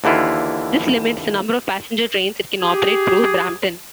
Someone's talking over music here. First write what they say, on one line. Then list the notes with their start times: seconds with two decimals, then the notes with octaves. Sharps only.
This limits the number of passenger trains that can operate through Brampton.
0.04 D#2 D3 E3 E4 F4
2.62 G4 G#4